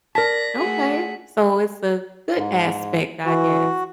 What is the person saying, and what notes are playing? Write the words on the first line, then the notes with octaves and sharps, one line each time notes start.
Okay, so it's a good aspect, I guess.
A#4 D5 A5 A#6 B6
A3 F#4 G#4
G#2
E3 F#4